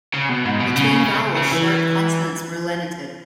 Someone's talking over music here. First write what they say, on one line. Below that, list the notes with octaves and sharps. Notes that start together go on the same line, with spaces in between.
Between vowels short consonants were lenited.
C#3
B2
G#2
B2
C#3
C#3
C#3
E3